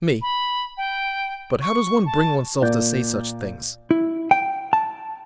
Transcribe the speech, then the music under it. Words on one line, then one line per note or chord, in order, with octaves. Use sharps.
ME: But how does one bring oneself to say such things?
B5
G5
C#6
A5
A#2 D5 G6
E4
G5
A5